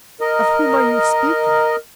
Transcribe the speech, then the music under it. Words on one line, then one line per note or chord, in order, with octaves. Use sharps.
Of whom are you speaking?
A#4 D#5